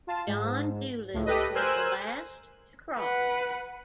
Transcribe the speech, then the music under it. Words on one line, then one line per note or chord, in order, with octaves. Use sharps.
John Dolittle was the last to cross.
F4 A5
G#2
C#2 A2
G4 A4 B4 D#5
A#4 C5 G#5 E6 F#6
B4 F#5